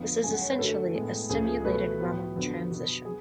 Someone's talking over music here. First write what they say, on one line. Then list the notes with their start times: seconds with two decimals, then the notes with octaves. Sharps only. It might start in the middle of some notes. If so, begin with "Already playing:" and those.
This is essentially a stimulated Raman transition.
Already playing: F2 D3 F3 B3 F5
0.24 F#2 C#3 G#3 G#5
0.33 F#5
0.41 C#5
0.50 B4
0.59 F#2 D3 F#3 A3 A4
0.95 A2 G#3 B3
1.30 C#2 C#3 F3 A3 G#4
1.48 G#4
1.65 B2 A3 B4
2.00 A2 F#3 B3
2.36 F2 D3 F#3 B3
2.70 B2 F#3 B3
3.05 G#4